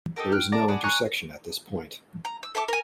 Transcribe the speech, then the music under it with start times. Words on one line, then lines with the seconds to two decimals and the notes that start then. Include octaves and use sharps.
There is no intersection at this point.
0.16 D#4 G4 A4 A#4
0.32 G5 F6 F#6
0.52 D5 A5 A#5 D6
0.68 F#4 G#4 D5 B5
0.84 G#5 A#5 C#6 F#6
2.25 A#5
2.43 E6
2.55 A4 E5 A5 D6
2.68 A#4 G#5